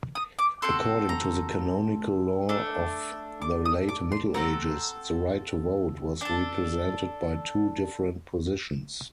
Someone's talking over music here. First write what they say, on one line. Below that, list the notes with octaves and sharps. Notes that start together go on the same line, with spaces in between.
According to the canonical law of the late middle ages, the right to vote was represented by two different positions.
D#6
D6
C4 F#4 A4 C6
A#5
A3 D4 A4
D6
D#6
D6
C6
C4 F#4 A4 A#5
D4 A4 A5